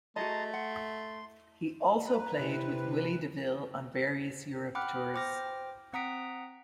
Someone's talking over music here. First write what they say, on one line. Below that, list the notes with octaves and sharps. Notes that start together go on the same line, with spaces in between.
He also played with Willy DeVille on various Europe tours.
A3 F#4 G#4 D#5 A5 A#5 C6
F#5 C6
B4 A#5
C3 E4
F#5 G5 B5 D6 F6 F#6
C5 G5 D6 F6 A#6
C4 F#5 A#5 D#6 B6 D7